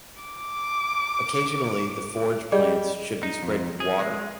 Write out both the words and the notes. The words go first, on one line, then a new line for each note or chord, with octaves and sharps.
Occasionally the forage plants should be sprayed with water.
D6
G3 G#4 D5 D#5 G5
D#4
F2
G#4
G#3